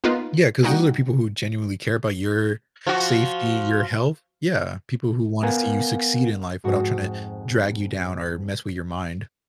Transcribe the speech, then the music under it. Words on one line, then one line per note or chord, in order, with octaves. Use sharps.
Yeah, 'cause those are people who genuinely care about your safety, your health. Yeah, people who wanna see you succeed in life without tryna drag you down or mess with your mind.
A#3 B3 D#4 F4 B4
G3 A#3 D#4 F#4 F#5 G5
F3 F#4
B3 A#4 F5 F#5 G#5
F2 G#2 F#4